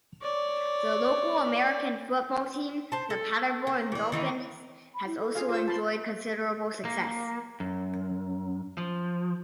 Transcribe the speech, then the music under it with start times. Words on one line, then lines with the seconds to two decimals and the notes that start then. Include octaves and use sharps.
The local American Football team, the Paderborn Dolphins, has also enjoyed considerable success.
0.22 C#5 D5
2.92 C5 A5
3.10 A4
3.67 A#3
3.92 E3 D4
4.12 D#3 E3 A#3 D#4
4.95 B5
5.06 E4
5.20 A4
5.35 F4 G#4 F5
5.49 F4 C5 F5 E6
5.68 A5 B5 C6
6.85 A#3
7.60 F#2
8.78 F3